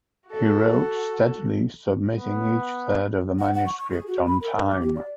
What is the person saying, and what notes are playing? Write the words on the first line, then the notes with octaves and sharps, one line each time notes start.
He wrote steadily submitting each third of the manuscript on time.
F#4 A4
B3
F#5
F#5
C#6
C#6
G#4
F#4
B5
A#4
B4
D6
G4
D5